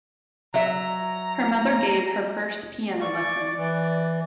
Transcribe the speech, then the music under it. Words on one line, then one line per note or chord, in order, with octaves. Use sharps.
Her mother gave her first piano lessons.
F#3 E5 A#5
D5 C#6
E3